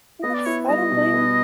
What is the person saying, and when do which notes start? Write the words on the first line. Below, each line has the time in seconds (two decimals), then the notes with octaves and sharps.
That's I don't blame
0.23 B3 D#5
0.34 D5
0.46 E4 C#5
0.69 G3 D#5
0.92 B2
1.14 B3